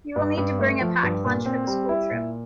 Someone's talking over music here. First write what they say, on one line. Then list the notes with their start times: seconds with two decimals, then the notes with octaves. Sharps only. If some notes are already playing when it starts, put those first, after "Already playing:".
You will need to bring a packed lunch for the school trip.
0.16 G2
0.37 G2
0.59 A3
0.81 F3
1.03 G2
1.24 A#2
1.46 C4
1.67 G3
1.89 E4
2.11 A#2